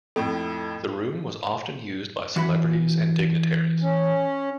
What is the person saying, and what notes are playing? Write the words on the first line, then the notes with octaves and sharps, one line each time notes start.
The room was often used by celebrities and dignitaries.
F2 A2 A4 G5
E3 F#4 B5
C#4